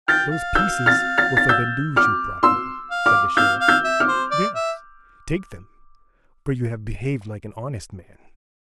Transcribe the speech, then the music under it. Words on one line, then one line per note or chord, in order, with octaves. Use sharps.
"Those pieces were for the news you brought me," said the Sheriff. "Yes, take them, for you have behaved like an honest man."
G5 F6 A6
F5
E6 G6
F6 A6
F6 A6
A6
E6 G6
D6 F6
C6 E6
F5
D6 F6
F5 E6 G6
F5
E6 G6
E5
D6 F6
C5
D5
E5